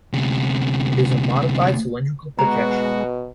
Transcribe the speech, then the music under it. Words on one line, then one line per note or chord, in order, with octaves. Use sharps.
It is a modified cylindrical projection.
D2 C3
B2 G#3 B3 F#4 A#5